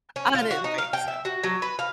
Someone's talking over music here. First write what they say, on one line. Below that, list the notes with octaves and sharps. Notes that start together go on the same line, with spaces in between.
I didn't think so.
C#4
F4
F#4
D#4
F5
G5
E5
F#4
F#3
B4
F5